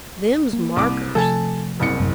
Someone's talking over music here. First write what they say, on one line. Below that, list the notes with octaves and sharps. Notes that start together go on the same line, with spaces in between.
Them's markers.
A#3
C2 D6
C3 F3 A3 A4 G#5 A5
F#1 C2 C#7
A1 F#2 C3